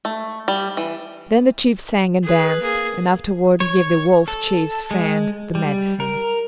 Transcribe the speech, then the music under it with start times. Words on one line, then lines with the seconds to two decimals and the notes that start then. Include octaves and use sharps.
Then the chief sang and danced, and afterward he gave the Wolf chief's friend the medicine.
0.05 A3
0.48 G3
0.77 E3
2.24 G#4 B4
2.61 A#3 G#4
3.60 C#5
4.28 A4
4.91 G#3
5.55 G3
6.00 A#4